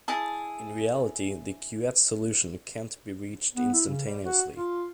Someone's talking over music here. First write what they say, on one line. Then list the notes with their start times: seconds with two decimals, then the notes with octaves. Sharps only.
In reality, the Couette solution can't be reached instantaneously.
0.08 E4 G#4 A5
3.55 B3
3.73 E4
3.87 C#3
4.06 G3
4.25 F#4
4.55 F4